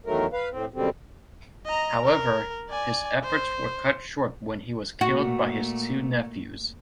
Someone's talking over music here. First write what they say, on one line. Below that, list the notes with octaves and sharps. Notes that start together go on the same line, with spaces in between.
However, his efforts were cut short when he was killed by his two nephews.
E2 D#3 F#3 A3 A#4
B4 F5
A2 C4
F#2 B2 D3 G3 C4
D#5 A#5
A#4
D5 G#5
C5
A#2 A3 F#4